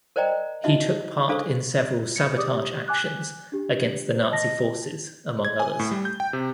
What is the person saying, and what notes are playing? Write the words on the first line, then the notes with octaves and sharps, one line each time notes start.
He took part in several sabotage actions against the Nazi forces, among others.
A#4 C5 D5 D#5 G5 A#5
D#4 E4 F#4 D#5 E5
D4 G#4 A4 C5 F5
C#7
G4 D5 D6 D#6
G#5 D6 F#6
D4 G4
C5
D#5 A5 A#6
G#6
G#5
A2
G3
G6
G5
C3